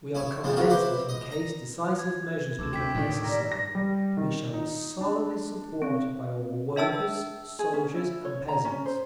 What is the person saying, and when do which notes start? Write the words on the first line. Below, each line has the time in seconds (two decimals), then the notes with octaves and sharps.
We are convinced that in case decisive measures become necessary, we shall be solidly supported by all workers, soldiers, and peasants.
0.15 E4 C#5
0.44 G#2 F3 G#3 C4 E4
0.56 D2 C#3 E3 A#3 F4 F#4
0.69 E4 B4 C5 D6
1.09 D#5
1.32 A#5
1.99 G#6
2.59 D2 D6 E6 E7
2.73 D#3 A3 G5 D6 B6
2.95 A2 D#3 A3 D#4
3.24 G3 F4 D5 A#5 A#6
3.52 A#6
3.75 G3
4.17 D#3
4.54 D#4
5.01 D4
5.82 C4
6.76 D4 E5 A5 E6
7.59 G#4
7.73 C#4
7.95 E4
8.25 C#5
8.48 A#5
8.65 C#4
8.86 C5